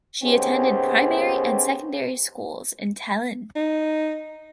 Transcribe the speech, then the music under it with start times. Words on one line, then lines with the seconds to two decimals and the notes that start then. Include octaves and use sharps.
She attended primary and secondary schools in Tallinn.
0.23 D#2 B3 C#4 G4 G#4 C5
3.56 D#4